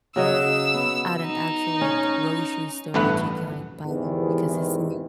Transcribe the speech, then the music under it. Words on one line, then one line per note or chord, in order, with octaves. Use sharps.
at an actual, like, grocery store that you can, like, buy them because it's like
C#3 F#3 D#5 E6
B3
D#4
C#4
A1 G2 A3 B3 B4 F#5
E2 G#2 C3 D#3 E3